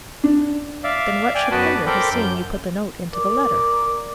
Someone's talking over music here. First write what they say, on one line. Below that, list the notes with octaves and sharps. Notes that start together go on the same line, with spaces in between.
"Then what should hinder his seeing you put the note into the letter?"
D4
D5 E5 F5
D5 G5 G#5
F#2 B3 F#4 B4 A5 B5
D5
A4 A#4 C5 G5 B5 D6
F#2 G6
A#4 D5